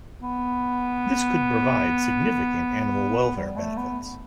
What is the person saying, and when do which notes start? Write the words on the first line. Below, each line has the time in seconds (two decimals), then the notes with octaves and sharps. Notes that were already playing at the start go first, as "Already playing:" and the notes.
This could provide significant animal welfare benefits.
0.23 B3
3.37 G3
3.57 A3
3.77 B3